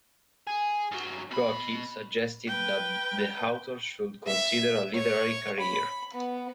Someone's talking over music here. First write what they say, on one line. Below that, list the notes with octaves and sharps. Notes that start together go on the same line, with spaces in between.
Gorky suggested that the author should consider a literary career.
G#4
G2 F#3
B2 B5
B4 G5
E5
C#5
B5
B3